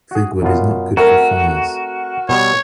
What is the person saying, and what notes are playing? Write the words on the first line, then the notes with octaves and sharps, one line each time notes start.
Fig wood is not good for fires.
F#4 G#4
F#2 B2 F4
A3 C4 F#4 A#4
B2 G3 C#5